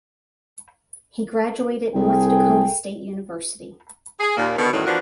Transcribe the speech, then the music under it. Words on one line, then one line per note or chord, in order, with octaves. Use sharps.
He graduated North Dakota State University.
C2 G#4 A4 G5
G#4
D#2 A#2 A#3
B2 D3 D#3
F#2 A2 D#3 E3 F#3 G3
E3 F3 B3 D4 F#4 A#4